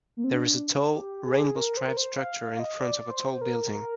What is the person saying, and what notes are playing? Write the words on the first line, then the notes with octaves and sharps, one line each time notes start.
There is a tall, rainbow striped structure in front of a tall building.
A#3
C4
D4
G4
G#4
A#4
C5
A#4
C5
F5
F5
F5
D#5
D5
C5
C5
A#4
A#4